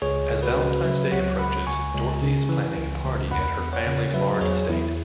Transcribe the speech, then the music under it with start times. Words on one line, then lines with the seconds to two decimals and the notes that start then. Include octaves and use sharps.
As Valentine's Day approaches, Dorothy is planning a party at her family's large estate.
0.02 C#2 G#4 C#5
0.30 C#2
0.43 F#4 B4
0.57 C#3
0.84 F#3 B4 E5
1.12 C#2 C#5 F#5
1.39 C#2 F#5 B5
1.66 C#2 G#5 C#6
1.94 C#2
2.22 C#3
2.49 E3
2.77 C#2
3.04 C#2
3.31 E2 F#5 B5
3.59 E2
3.73 C#5 F#5
3.86 C#3
4.14 F#3 B4 E5
4.41 E2 G#4 C#5
4.69 E2 E4